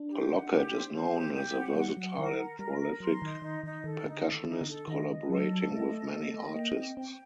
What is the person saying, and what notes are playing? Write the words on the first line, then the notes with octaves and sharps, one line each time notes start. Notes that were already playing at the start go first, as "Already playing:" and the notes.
Lockett is known as a versatile and prolific percussionist, collaborating with many artists.
Already playing: D4
G4
F#5
G4
C5
C5
G4
G4
C4 F#5
G3 F#5
F#3 F#5
D#3 A#4
A#4
G3 A#4
A#4
F#3 C6
D#3 D#4
D#3 D#4
D#3 D#4
D#3 A4
D3 D#4
A4
D#3
D#4
D3
A4
D#3 D#5
D#5
F#3 A4
A5
A3 D#5
A3 A4
A#3 D#5
A3 D#5
A#3 G5
C4 G5
C4 G5